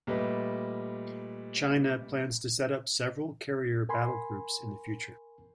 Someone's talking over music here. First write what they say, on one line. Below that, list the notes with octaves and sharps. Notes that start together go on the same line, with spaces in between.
China plans to set up several carrier battle groups in the future.
A#2 G3 A3 B4 D#5
A#4 G#5 B5 C6